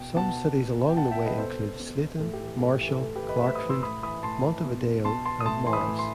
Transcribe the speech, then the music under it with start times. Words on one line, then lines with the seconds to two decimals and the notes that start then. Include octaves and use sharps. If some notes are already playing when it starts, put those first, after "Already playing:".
Some cities along the way include Slayton, Marshall, Clarkfield, Montevideo, and Morris.
Already playing: B2 G5
0.16 B2 F#5 A5
0.57 B2
0.89 G5
0.97 B2 F#5 A5
1.11 E5 G5
1.26 B4 D#5
1.38 B2 A4 C5
1.80 B2
2.20 A2 A4
2.33 G4
2.40 E3
2.47 A4
2.60 A2 A4
2.74 G4
2.81 E3
2.88 A4
3.01 A2 A4
3.15 G4 B4
3.22 E3
3.29 B4 D#5
3.42 A2 C5 E5
3.55 B5 D#6
3.63 E3
3.69 C6 E6
3.83 A2 B5 D#6
4.03 E3 B5 D#6
4.23 A2 A5 C6
4.44 E3
4.65 B2
5.05 B2 A5 C6
5.25 A5 C6
5.40 D#6
5.45 A2 A5 C6
5.66 E3 C6
5.73 B5 D#6
5.86 A2
5.99 C6